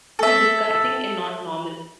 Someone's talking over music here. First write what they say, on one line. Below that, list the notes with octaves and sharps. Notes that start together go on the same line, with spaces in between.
This is disgusting and not normal!
A4 E5